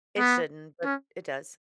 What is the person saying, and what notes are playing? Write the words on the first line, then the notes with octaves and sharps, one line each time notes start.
It shouldn't, but it does.
B3
C#4